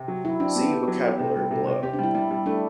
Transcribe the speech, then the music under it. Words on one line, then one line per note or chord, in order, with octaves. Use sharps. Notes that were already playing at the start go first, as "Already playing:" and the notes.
See Vocabulary below.
Already playing: C3
F#3
F#3 E4
C4 D4
B3 G4
G4
F#3
G4
C3
G3
C3
C3
C4 G4
D4
G3 E4
G3 E4
G3
A3 D4